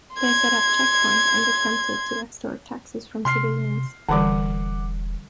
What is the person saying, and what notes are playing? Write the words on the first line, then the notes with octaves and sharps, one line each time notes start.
They set up checkpoints, and attempted to extort "taxes" from civilians.
C6 G#6
C3 C6 F6 C7
E1 D3 E3 G3 F#5 D6